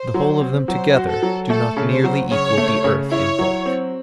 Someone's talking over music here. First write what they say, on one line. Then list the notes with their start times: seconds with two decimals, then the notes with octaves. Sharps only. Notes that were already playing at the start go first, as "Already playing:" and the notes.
The whole of them together do not nearly equal the earth in bulk.
Already playing: C5
0.14 F#3
0.41 C4
0.68 F#3 C5
0.95 F#4
1.09 A4
1.22 F#3
1.50 A3 A4
1.77 C#3
1.90 C5
2.04 F#3
2.30 C#3 C#5
2.58 A3
2.84 C#3
3.12 E4 C#5
3.39 F#3
3.66 C4